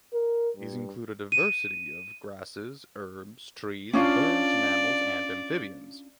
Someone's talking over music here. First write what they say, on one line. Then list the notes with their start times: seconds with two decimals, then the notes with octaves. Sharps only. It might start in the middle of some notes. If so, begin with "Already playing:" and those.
These include a diversity of grasses, herbs, trees, birds, mammals and amphibians.
0.14 A#4
0.57 G2
1.32 D#7
3.93 C#4 D4 F4 D5